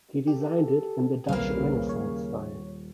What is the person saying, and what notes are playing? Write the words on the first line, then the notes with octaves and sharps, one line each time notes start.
He designed it in the Dutch Renaissance style.
G4 A4
D#1 B1 C#3 A#3 C4 B4 F5
C#5